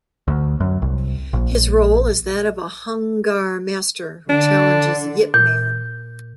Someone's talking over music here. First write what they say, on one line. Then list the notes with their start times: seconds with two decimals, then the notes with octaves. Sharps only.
His role is that of a Hung Gar master who challenges Yip Man.
0.28 D2
0.60 F#2
0.82 C2
1.33 A#1
4.29 D3 D4
5.34 A#2 G6